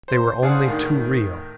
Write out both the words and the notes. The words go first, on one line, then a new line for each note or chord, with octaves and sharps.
They were only too real.
C5
D4 G#4 C5 F5 F#5
A2 D#3